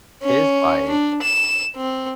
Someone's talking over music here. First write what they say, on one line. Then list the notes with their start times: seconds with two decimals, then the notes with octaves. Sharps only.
his bike,
0.23 C#4
0.90 D4
1.23 E7
1.76 C4